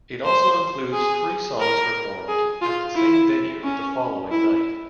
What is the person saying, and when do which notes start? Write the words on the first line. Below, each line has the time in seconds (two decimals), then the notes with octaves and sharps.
It also includes three songs performed at the same venue the following night.
0.25 C5
0.93 G#4
1.60 A#4
2.28 G#4
2.62 F4
2.96 E4
3.64 C#4
4.31 E4